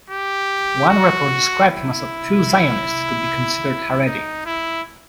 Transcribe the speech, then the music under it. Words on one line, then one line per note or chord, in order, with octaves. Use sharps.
One report described him as too Zionist to be considered Haredi.
G4
F#4
E4
D#4
E4